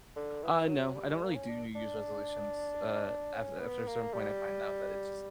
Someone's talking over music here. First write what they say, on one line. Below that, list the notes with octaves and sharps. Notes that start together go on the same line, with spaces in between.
Uh, no. I don't really do New Year's resolutions. Uh, aft after a certain point, I find out that it's just
D3
E3
F#3
G3
A#3
C#4
D4
D4
C#4
B3
A#3
G3